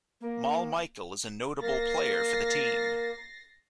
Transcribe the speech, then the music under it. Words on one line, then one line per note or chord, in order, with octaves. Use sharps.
Mal Michael is a notable player for the team.
A#3
A#3 A6 A#6 C7